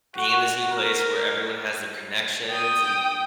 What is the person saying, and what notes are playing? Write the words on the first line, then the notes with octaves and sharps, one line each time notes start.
being in this new place where everyone has their connections, and,
F#4
A#4
G5 D#6